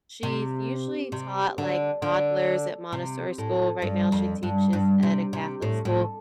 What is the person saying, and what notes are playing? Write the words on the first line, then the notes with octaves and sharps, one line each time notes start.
she's usually taught, like, toddlers at Montessori school. Right now she teaches at a Catholic school.
C3
C3
D3
D3
C3
A2
G2
F2
G2
G2
C3
C3
A2
A2